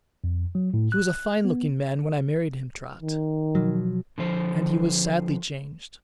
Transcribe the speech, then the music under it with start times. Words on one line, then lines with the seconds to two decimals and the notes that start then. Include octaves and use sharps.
'He was a fine-looking man when I married him, Trot--and he was sadly changed!'
0.24 F2
0.55 F#3
0.74 A2
0.92 F#6
1.45 B3
3.02 D#3
3.55 B2 F3 F#3
4.18 D3 F3 C5